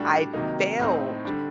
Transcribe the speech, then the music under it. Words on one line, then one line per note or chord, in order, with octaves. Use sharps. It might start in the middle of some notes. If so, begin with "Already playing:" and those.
I failed
Already playing: A2 G3 D4 F#4
C3 D#3 F#3 A#3 D#4
A2 A3 C4 D#4
D3 G3 D4